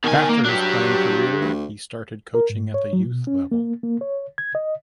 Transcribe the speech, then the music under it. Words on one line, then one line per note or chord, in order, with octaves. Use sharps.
After his playing career he started coaching at the youth level.
B2 D#3 G#5
A#3
F#3 D4 G4
D2
A#4
G#2
C#5
F#3
B2
C#4
A#3
A#3
C#5
G#6
D#5